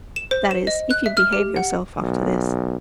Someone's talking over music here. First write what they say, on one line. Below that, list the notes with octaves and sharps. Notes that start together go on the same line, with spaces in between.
"That is, if you behave yourselves after this."
E7
C5
E7
D#5
F#6
E5
F6
G4
F#5
B1